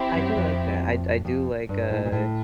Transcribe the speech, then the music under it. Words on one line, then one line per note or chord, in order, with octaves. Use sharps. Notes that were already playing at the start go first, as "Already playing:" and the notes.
I do like that, I I do like, uh,
Already playing: C4 E4 G4
F#2
F2
F2
G2
A2
A#2
A2